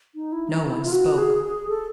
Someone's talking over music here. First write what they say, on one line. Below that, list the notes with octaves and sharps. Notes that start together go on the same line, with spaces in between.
No one spoke.
D#4
E4
D#4
E4
F4
F#4
G#4
G#4
A4